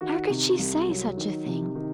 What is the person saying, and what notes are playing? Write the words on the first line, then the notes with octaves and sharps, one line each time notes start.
How could she say such a thing!
D#3 F#4
C3
C2
F#3
D#3
C3
D#3